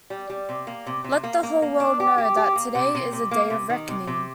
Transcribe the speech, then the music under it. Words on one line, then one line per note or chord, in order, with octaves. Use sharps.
Let the whole world know that today is a day of reckoning.
G3
G3
C3
A#3
C3
C3
A#3
A#3
A#3
D4
G4
G4
G4
A#3
C3
C3
C3
A#3
C3
D#3
C3
C3